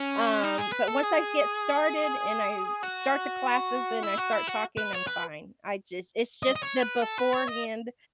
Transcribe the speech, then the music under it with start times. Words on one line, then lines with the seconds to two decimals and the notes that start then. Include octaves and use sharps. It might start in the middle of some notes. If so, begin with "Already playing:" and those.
um, but once I get started and I start the classes and I start talking, I'm fine. I just it's just the beforehand,
Already playing: C#4
0.44 D#4
0.59 G#4
0.73 B4
0.88 A4
1.03 G#4
2.83 F#4
4.03 E4
4.18 F#4
4.33 E4
4.48 F#4
4.78 B4
4.93 C#5
5.07 B4
6.43 D#5
6.56 D#5
6.63 C#5
6.82 B4
7.02 A4
7.18 B4
7.33 C#5
7.48 D#5